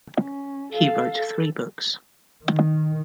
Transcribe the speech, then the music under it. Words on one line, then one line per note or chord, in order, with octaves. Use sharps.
He wrote three books.
C#4
A4 F5
A4
D#3